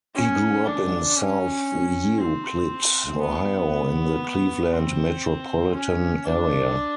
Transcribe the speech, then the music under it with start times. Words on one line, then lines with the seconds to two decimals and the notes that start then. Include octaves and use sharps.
He grew up in South Euclid, Ohio, in the Cleveland metropolitan area.
0.15 C#4
0.66 D4
1.16 C#4
2.19 C4
3.20 B3
4.73 C4
5.75 C#4
6.26 D4